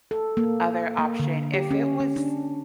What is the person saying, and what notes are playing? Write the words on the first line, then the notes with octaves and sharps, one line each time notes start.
other option, if it was
A4
A#3
A#3
D3
G4
C#4
C#4
D4